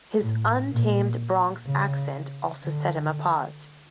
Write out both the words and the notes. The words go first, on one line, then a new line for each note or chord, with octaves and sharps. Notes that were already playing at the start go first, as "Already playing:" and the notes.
His untamed Bronx accent also set him apart.
A2
A#2
C#3
D3